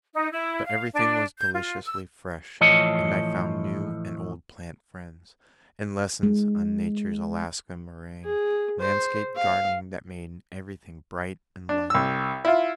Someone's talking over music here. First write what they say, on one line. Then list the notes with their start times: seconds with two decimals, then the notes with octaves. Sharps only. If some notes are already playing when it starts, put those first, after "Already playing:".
But everything was deliciously fresh, and I found new and old plant friends, and lessons on Nature's Alaska moraine landscape-gardening that made everything bright and light.
0.13 D#4
0.32 E4
0.66 F5
0.93 D4
1.38 G6
1.54 F4
1.85 E6
2.61 A2 E3 F3 A4 C#5 D#5
6.23 G#3
8.24 G#4
8.80 C5
9.36 F5
11.69 D4
11.90 C2 E6
12.45 E4 F4